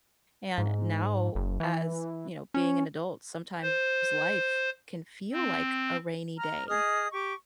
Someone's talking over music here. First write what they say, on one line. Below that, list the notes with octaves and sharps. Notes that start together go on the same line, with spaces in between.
And now as you know, being an adult, sometimes life can feel like a rainy day.
G#2
F#1
E3
C#4
C5
C4
A#5 F6
G#4 D#5 D#6 F6
G4 C#6 D6